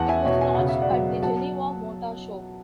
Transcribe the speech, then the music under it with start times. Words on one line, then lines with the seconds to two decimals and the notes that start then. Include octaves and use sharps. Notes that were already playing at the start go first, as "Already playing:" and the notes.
It was launched at the Geneva Motor Show.
Already playing: E2 F#5 A5
0.09 E5 G#5
0.25 B2 C#5 E5
0.41 G#5
0.55 C#3 F#5
0.69 E5
0.82 D5 F#5
0.90 F#3
1.23 F#3 F#5 A5